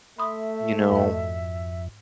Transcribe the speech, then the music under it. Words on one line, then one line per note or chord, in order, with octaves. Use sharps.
you know,
A3 E5 B5 C6 D#6
F2 G#2 D#5